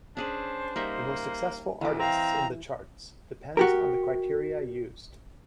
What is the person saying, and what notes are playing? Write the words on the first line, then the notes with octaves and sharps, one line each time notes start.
The most successful artists in the charts depends on the criteria used.
C#4 D4 G#4 B4 C5
G3 A#3 D#4 E5
D2 E3 D6
C4 D#5 F5 G5 A#5
F#4 G4 A#4